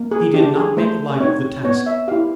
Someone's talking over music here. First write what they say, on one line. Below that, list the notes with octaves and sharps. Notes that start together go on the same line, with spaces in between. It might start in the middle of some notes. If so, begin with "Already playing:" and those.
He did not make light of the task.
Already playing: A#3
G#4
D4 G4
G#4
A3 C5
C4 D#4 C#5
B3 C#5
E5
E4 G4 F5